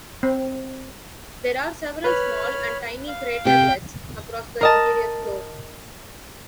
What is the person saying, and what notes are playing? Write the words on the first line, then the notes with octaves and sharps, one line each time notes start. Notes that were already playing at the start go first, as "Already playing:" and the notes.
There are several small and tiny craterlets across the interior floor.
C4
B4 C#5 B5 F6
F5
C3 G4 G5
A#4 D#5 A5